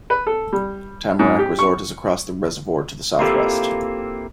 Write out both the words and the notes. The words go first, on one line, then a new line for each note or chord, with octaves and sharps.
Tamarack Resort is across the reservoir to the southwest.
B4
A4
G3
G#2
G4
C#6
A#3 C4 E4 F4 G4 A4